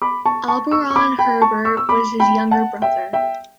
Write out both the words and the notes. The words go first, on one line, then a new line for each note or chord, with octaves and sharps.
Auberon Herbert was his younger brother.
B5 D6
A5 C#6
A5 C#6
C#6 E6
C#6
B5 D6
G5 B5
A5 C#6
C#6 E6
E6
B5 D6
G5 B5
F#5 A5
E5 G5
E5 G5